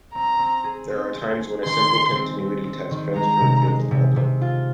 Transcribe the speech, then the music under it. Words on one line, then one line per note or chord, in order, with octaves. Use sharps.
There are times when a simple continuity test fails to reveal the problem.
C4 A#5
C4
G#4
C4
C4
G#4
D#3 C6
G#4
C4
C4
C4
D#3
G#3 A#5
C3
G#3
C3
C3
F4